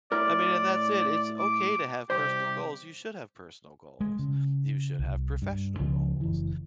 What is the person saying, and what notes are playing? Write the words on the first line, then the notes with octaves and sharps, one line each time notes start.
I mean, and that's it, it's okay to have personal goals, you should have personal goals. You should have professional goals.
A2 E4 A#4 D5
D6
C2 G4 C5
G#3
C#3
C2
G2
C#2 C#3 F3
F#1 E3